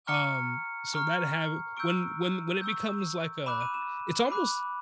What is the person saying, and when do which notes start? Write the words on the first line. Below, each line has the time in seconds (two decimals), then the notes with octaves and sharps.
Um, so that have when when when it becomes like a it's almost
0.07 A#5 C#6 F6 C#7
0.93 A#5 C#6 F6
1.77 C#6 E6 G6 D7
2.61 C#6 E6 G6
3.46 B5 D6 F#6 E7
3.61 D#7
3.74 E7
4.32 B5 D6 F#6